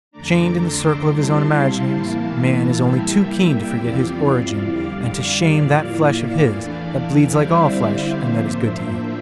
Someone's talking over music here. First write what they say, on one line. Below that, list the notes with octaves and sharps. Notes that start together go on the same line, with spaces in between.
Chained in the circle of his own imaginings, man is only too keen to forget his origin and to shame that flesh of his that bleeds like all flesh and that is good to eat.
F2 D3 A3 D4 A#5 D6
C6 E6
C3 G3 C4 E4 A5 C6
F5 A5
A2 E3 A#3 E4
C3 G3 A#3 E4 E5 G5
E2 C3 F3 C4 E4 D5 F5
F2 D3 G3
A2 F3 A#3 E4
E2 E3 A3 D4
D3 G3 C4 E4 C5 E5
A2 F3 A#3 D4